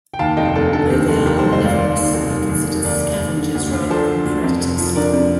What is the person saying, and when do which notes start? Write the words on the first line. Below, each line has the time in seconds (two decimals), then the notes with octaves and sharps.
Though they are omnivorous, they are considered scavengers rather than predators.
0.14 G5
0.19 D#2 F5 A5
0.37 F1 D#5 G5
0.56 F1 A4
0.72 D3 A4
0.90 D#2 G4
1.08 F1 A4
1.26 D#2 G4 A#4
1.38 F1 A4 C5
1.52 C5 D#5
1.61 F1 D5 F5
1.78 D#3 D5 F5
1.96 D#2
2.14 F1
2.31 D#3
2.50 D#2
2.66 D#3
2.84 D#2 A#4 D5
3.02 D#3
3.20 D#2
3.37 D3
3.55 D2
3.72 D2
3.90 F3 A4 C5
4.07 D3
4.25 D2
4.44 F2
4.60 F1
4.79 F3
4.96 D3 A#4 D5
5.13 F2